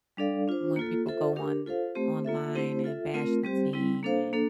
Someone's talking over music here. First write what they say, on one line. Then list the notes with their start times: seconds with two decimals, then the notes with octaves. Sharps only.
when people go on online, and bash the team and
0.17 G3 D4 A4 D5 F5
0.48 D4 F4 C5
0.76 A#3 F4 A4
1.06 F4 A4 C5 E5
1.36 D4 G4 A#4
1.66 F4 A4 C5 F5
1.95 A3 C4 G4 C5
2.25 A#3 F4 A4 E5
2.55 A3 C4 E4 G4 C5
2.84 F4 A4 E5
3.14 A3 C4 F4 A#4
3.44 G3 C4 G4 C5
3.73 G3 C4 E4
4.03 A#3 D4 A4 C5 F5
4.33 A#3 D4 A4